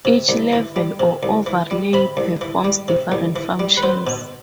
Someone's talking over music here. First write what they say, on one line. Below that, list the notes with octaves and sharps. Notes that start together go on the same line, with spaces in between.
Each level or overlay performs different functions.
C3
C2
E3
G3
C3
C2
E3
G3
C3 B5
C2
E3
G3
C3
C2
E3
G3
B4
F#3 C5
B2